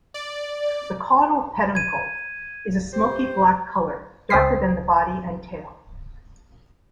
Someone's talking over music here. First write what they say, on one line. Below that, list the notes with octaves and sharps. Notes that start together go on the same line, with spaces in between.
The caudal peduncle is a smoky black color, darker than the body and tail.
D5
G#6 D#7
G4 C5
C#2 C5 G5 D#6 B6 C7